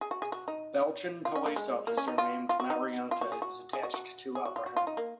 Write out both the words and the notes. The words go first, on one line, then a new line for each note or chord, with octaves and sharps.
Belgian police officer named Marianka is attached to Avraham.
G#4
F#4
G#4
F#4
D#4
F4
C#4
A#3
G#3
A#3
C#4
D#4
F4
F4
F#4
D#4
F4
F#4
G#4
F#4
G#4
F#4
F#4
G#4
F#4
F4
F#4
F4
D#4
A#3